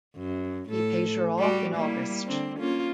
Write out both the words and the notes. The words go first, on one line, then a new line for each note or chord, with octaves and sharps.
He paid her off in August.
F#2
A2 A4
G3 F#4 D5
G3 A#3 E4
D3 C4 D4
A#3 C#4 F4